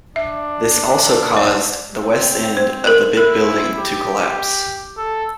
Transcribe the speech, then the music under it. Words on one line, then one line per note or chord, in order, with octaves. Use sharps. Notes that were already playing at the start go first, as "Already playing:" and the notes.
This also caused the west end of the big building to collapse.
D4 E5
D5
C4
C5
A#4
E4 A#4
G4
A4